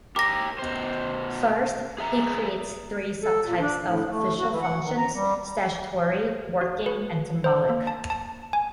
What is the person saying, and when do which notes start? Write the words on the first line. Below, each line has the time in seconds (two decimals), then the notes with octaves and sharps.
First, he creates three sub-types of official functions: statutory, working, and symbolic.
0.16 G4 A#4 D6 A#6
0.59 B2 C5
1.98 G#4 E5 A#5
3.23 A4
3.44 A#2
3.59 D4
3.83 A2
4.09 A3
4.39 F#4
4.51 E3
4.63 F#5
4.83 D#3
4.97 A#5
5.14 G3
6.61 F#4
6.86 B4
7.44 C5
7.70 A#3
7.87 A5
8.10 A5
8.53 G#5